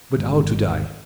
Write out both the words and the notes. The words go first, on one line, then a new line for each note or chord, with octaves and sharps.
But how to die?
G#1